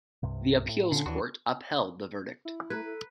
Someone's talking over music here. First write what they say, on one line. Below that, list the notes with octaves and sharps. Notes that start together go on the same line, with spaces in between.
The appeals court upheld the verdict.
C2 G2 C3
A2
A#2 D3 C#4
D#2 E3 D4 F#4
E4
A3 B4 A#5 F#6 G#6
A4